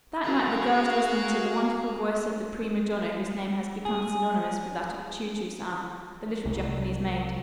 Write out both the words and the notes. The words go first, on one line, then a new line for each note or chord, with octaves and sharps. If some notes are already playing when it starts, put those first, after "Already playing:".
That night the girls listened to the wonderful voice of the prima donna whose name has become synonymous with that of "Chu Chu San," the little Japanese maid.
F#4 G#4 A#4 F5
G#4
C2